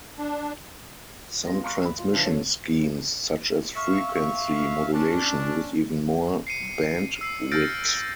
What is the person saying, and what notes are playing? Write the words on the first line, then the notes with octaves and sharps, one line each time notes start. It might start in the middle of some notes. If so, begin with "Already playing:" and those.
Some transmission schemes such as frequency modulation use even more bandwidth.
D4
G#3 B3 F4 A#6
F5 A#5 C6 C#6 F6 F#6
B5
F4
C#3 E3 F3 C#4 D4 B4
A4 C#5
E5 F5 C#6
C#6
C#4 D4 A5
C7 C#7 D#7
E6 C7
E6 F6 G6 A6 A#6 D7